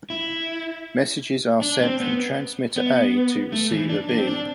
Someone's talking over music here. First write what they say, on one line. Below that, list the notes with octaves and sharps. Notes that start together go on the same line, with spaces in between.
Messages are sent from transmitter A to receiver B.
E4
D4
C4
B3
B3
A3
E3
D4
D4
C4
D4